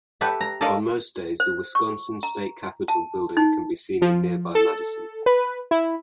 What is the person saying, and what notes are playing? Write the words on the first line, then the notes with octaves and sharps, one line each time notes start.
On most days the Wisconsin State Capitol building can be seen in nearby Madison.
G4 A4 B4 E5 F#5
A#5
A4 A#4 D5 D#5 F5
C5
C#6
A#5
A5
D#4
F3
A4
B4
E4